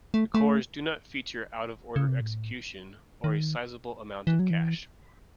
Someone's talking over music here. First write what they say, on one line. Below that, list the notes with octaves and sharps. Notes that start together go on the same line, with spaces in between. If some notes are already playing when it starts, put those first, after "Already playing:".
The cores do not feature out-of-order execution, or a sizable amount of cache.
A3
A3
C#3
C3
A2
D#3
E3
F#3
E3